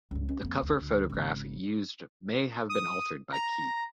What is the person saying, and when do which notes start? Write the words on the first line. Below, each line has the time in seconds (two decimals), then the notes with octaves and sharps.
The cover photograph used may have been altered by Key.
0.11 C#2 G2
0.29 C#4
0.43 F2 A#3
0.62 F1 D2
0.79 D2
1.10 G#1 C#3
2.69 D#6
3.32 A#5